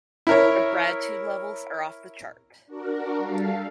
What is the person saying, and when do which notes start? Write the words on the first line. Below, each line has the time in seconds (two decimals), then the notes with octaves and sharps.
Our gratitude levels are off the chart.
0.27 E4 A#4 C#5
2.66 D4 F#4 A#4
3.16 G3 A4 F5